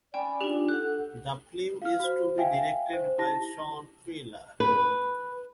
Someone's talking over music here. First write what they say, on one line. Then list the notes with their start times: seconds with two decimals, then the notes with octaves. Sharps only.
The film is to be directed by Shawn Piller.
0.14 C#4 D5 G5 G#5 B5
0.41 D4 D#4 F4 G4
0.68 G4 A4 F#5 F#6
1.82 F5 F6
2.00 F#4 C5
2.38 E5 F5 G5 G#5
2.93 C5
3.18 E4 G4 A5 A#6
4.60 B4